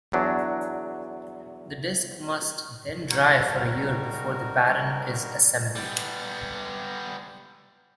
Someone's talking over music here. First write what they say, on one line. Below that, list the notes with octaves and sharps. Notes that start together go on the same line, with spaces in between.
The disk must then dry for a year before the baren is assembled.
E2 F#3 D4
G2 G3 D#4 F#4 A#4
G3 B3